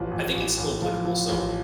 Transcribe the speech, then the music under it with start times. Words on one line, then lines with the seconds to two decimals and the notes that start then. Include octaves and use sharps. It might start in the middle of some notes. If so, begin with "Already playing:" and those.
I think it's still applicable. So,
Already playing: A1 F3 B4
0.11 A1
0.35 A1
0.57 A1
0.82 F3
1.05 F3
1.29 A1